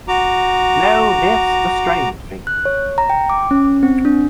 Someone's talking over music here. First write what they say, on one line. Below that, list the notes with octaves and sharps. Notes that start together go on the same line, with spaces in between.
No, that’s the strange thing.
F#4 A#5 D6
F#6
C#5
A#5
G5
D6
C#4
C4
D4